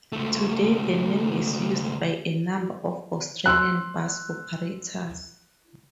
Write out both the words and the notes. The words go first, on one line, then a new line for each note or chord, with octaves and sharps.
Today the name is used by a number of Australian bus operators.
C#2 A3
C6 E6 F#6